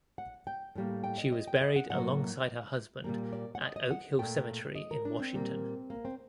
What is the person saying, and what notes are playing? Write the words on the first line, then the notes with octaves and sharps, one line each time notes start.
She was buried alongside her husband at Oak Hill Cemetery in Washington.
F#5
G5
A2 G3 A#3
G5
D#5
D#5
G5
D#5
F#5
A2 F#3 A#3 F#5
A#2 G3 A#3
D5
F#5
D#5
D#5
F#5
A#2 A3 G5
D#5
A#4
D4
C4
A#2 G3 A#3
A#3
C4